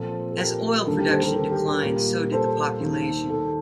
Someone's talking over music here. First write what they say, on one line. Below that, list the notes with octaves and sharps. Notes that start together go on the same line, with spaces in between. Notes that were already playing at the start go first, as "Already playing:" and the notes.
As oil production declined, so did the population.
Already playing: A#2 F3 C4 A4
A4
G4 A#4
D#2 D3 G3 A#3 A4
G4 A#4
A4 C5
G4 A#4
A4
G4 A#4
G4 A#4
A#2 G3 A#3
A4 C5
D#2 D#3 A#3
A4